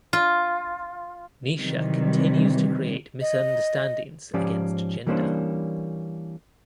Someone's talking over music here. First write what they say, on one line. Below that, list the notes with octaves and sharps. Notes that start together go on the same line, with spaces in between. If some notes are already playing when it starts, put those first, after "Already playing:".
Nisha continues to create misunderstandings against Genda.
F4
C3 D#3 E3 F#3 G3
D#5
G#2 F3 C#4 G4 D5
E3 G3 A#3 C#4 D4 C5